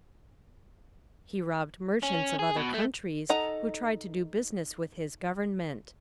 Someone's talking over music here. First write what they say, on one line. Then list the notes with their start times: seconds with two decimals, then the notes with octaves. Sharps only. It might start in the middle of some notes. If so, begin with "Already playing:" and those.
He robbed merchants of other countries who tried to do business with his government.
2.03 C#4
2.39 G#4
2.57 B2
2.74 A3
3.29 D#4 A4 D#5 F#5 A#5